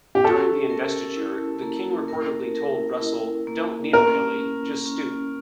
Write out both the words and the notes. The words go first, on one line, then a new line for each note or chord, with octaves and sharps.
During the investiture, the King reportedly told Russell "Don't kneel Billy, just stoop".
G4
C#4 A4
A#4
E4
A#3
A#4
A#4
E4
A#3
C#4 A#4
C#4
C#4